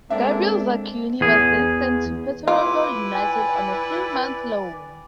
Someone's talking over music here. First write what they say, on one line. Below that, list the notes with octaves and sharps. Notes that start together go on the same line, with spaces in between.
Gabriel Zakuani was then sent to Peterborough United on a three-month loan.
G#3 A#3 C4 D4 A4 E5
E2 G#4
E4 F4 B4 D6
D5 G5 G#5